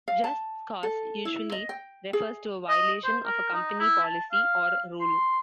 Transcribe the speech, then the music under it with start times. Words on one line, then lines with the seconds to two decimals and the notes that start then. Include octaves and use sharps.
Just cause usually refers to a violation of a company policy or rule.
0.08 F5
0.24 A5
0.83 A4
1.25 E4
1.52 D#5
1.69 G5
2.13 G#4
2.69 D#5
3.04 C5
3.24 A#4
3.53 D#4
3.79 E4
4.03 A5
4.32 F5
5.01 C6